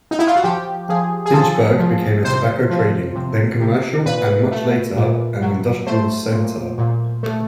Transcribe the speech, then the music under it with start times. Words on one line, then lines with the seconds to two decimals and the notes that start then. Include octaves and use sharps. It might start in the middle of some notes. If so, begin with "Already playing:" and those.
Lynchburg became a tobacco trading, then commercial, and much later an industrial center.
0.11 D#4
0.19 E4
0.27 F4
0.36 F#4
0.44 F3 G4
0.89 F3 G#4
1.26 G#4
1.34 F3 A4
1.79 F3
2.25 C3 C5
2.70 F3
3.15 C3
3.61 C3
4.06 A#2 B4
4.51 A3
4.96 A#2
5.41 F#3
5.87 A3 C5
6.32 A#2
6.78 A#2
7.23 A3